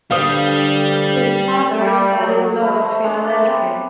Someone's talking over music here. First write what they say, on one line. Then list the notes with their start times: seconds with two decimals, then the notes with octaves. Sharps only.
His father studied law in Philadelphia.
0.11 D3 G3 D4 B4 C5 F5 D#6
1.79 G3
2.19 F#3
2.61 A3 B4 E5
2.82 A3 C5
3.04 G#3 A3 D4
3.25 A#3 D6
3.46 B3 C4